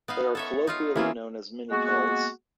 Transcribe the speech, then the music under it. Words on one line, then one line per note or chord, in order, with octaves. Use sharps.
They are colloquially known as mini pills.
B3 D#4 F5
A4 C#5 E5
D#4 F4 F5
E3 A#3 C#4 E4 F4 G#4
G#3 A#3 B3 F#4